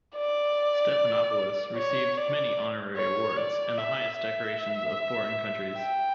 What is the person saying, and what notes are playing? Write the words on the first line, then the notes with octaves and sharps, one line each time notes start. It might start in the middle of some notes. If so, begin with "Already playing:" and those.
Stephanopoulos received many honorary awards and the highest decorations of foreign countries.
D5
C#5
D5
C#5
D5
E5
E5
G5